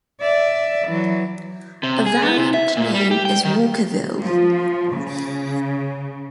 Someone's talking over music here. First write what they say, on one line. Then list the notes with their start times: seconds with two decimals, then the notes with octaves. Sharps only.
A variant name is "Walkerville".
0.21 D5 E5
0.88 E3 F#3
1.83 C3
2.06 G#4
2.22 B3
2.37 C3
2.54 E5
2.77 A#2
2.94 G3
3.11 G4
3.25 G5
3.45 D#3
4.24 F3
4.94 C#3